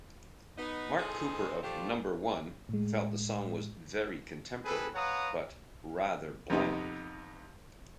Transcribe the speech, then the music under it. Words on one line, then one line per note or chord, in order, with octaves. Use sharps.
Mark Cooper of "Number One" felt the song was "very contemporary" but "rather bland".
B3 D#4
E3 F3 C4 D#4 G#4 A4
F3 A3 D4 F4 G4 C5
A2 G#3
C4 G#4 A4 B4
B4 C#5 F5 F#5 A#5 D#6
F2 C3 B3 D#4